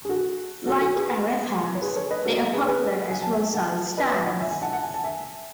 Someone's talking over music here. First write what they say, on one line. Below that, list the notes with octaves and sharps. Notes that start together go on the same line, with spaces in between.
Like "arepas", they are popular at roadside stands.
G#4
F#4 A4
F#4 A4
F#4 A4
G#4 B4
C#5
G#4 B4
A4 C#5
B4 D#5
F#4 A4
G#4 B4
C#5
G#4 B4
G#5
A5
E5 G#5
F#5 A5
B4 D#5
C#5 E5
D#5 F#5
E5 G#5
E5 G#5
F#5 A5
F#5 A5
G#5
A5
E5 G#5